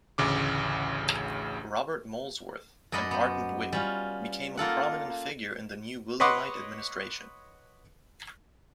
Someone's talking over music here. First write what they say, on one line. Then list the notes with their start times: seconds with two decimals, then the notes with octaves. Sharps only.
Robert Molesworth, an ardent Whig, became a prominent figure in the new Williamite administration.
0.18 A1 D2 C#3 D6
2.92 F#2 D5 D#5 F#5 B5
3.11 B3 C5
3.73 G3 C#4 F4
4.57 A#3 F4 A4 F#5
6.20 B4 C#5 D#5 F#5 C6 D6